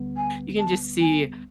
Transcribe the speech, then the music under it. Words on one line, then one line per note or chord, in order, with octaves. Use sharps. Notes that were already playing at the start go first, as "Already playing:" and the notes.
you can just see
Already playing: D2 D3 G3 B3
G#5
A5
G#5